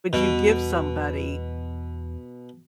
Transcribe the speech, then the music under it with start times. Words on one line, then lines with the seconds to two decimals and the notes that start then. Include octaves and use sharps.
would you give somebody
0.13 E2 B2 G3